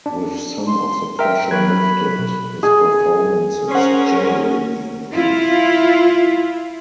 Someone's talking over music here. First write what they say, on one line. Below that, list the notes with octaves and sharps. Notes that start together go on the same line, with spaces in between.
With some of the pressure lifted, his performances generally improved.
D4
C6
A#4 E5 G5
F#3 B5 F#6 G#6
B2
G#4
C#4 A#4 C5 F#5
E4 F4